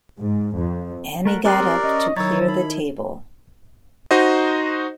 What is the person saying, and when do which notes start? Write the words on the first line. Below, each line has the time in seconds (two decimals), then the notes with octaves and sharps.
Annie got up to clear the table.
0.19 G#2
0.57 F2
1.25 A3 A#4 F#5
1.45 C4 G4 A#4 D5 D#5 C6 F#6 C7
1.84 C#4 D#5
2.17 D#3 F#3 D#4 E4 C#5 E6 A6
2.48 D#4 B5
4.11 D#4 F#4 C5 D#5